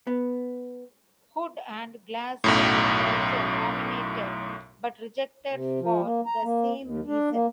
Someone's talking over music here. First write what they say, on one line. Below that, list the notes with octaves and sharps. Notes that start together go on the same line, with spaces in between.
Hood and Glass were also nominated, but rejected for the same reason.
B3
B1 F#2 A2
C3
F3
A#3
A#5
A#3
D#2
D4
A#3